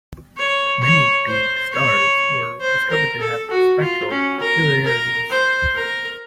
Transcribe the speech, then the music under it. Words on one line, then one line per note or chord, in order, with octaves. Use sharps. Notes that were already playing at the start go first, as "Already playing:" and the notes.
Many Be stars were discovered to have spectral peculiarities.
C#5
C#5
C5
C#5
C5
A#4
A4
F#4
F4
C#4
A#4
A#4
C5
A#4